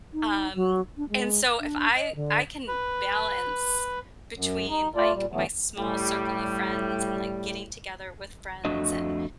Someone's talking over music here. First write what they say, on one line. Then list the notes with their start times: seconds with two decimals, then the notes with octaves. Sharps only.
Um, and so if I I can balance between, like, my small circle of friends and, like, getting together with friends and
0.13 D#4
0.55 F#3
0.97 D4
1.10 G#3
1.60 D4
1.96 D#5
2.15 D3
2.68 B4
4.34 F#2
4.69 D#4
4.96 A3 F4 D5
5.13 A#2 G3
5.32 G2 D3 E3 F#3 A3 B3
5.78 A2 G3
8.65 F2 A3 D4 F#4 D#5